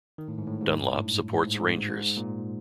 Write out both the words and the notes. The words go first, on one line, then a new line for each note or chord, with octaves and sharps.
Dunlop supports Rangers.
D#3
A2
G#2
A2
G#2
G2
G#2
A2
G#2
A2
G#2
G#2
A#2